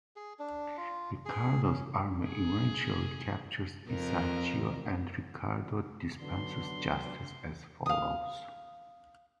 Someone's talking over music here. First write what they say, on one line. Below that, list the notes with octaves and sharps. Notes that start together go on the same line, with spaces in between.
Riccardo's army eventually captures Isacio, and Riccardo dispenses justice as follows.
G#4
D4
F4
G#4
C#4
G#4
F2 A#4
D3 F#3 B3 D4 C6
F5 D#6